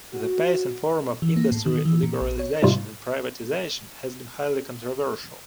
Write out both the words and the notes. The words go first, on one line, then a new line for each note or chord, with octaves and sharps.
The pace and form of industry liberalization and privatization has been highly controversial.
F#4
E3
A#3
A2
D#3
E3
A#2
A#1
C#5
G#2 C3 G3 F4